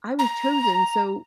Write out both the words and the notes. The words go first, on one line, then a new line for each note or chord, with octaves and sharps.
I was chosen, so,
A#5